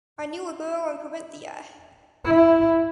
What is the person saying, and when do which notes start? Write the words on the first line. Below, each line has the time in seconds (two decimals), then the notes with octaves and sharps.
I knew a girl in Carinthia.
2.25 E4